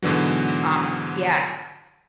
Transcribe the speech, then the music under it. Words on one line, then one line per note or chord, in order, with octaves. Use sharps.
um yeah.
G#2 B2 D3 E3 F#3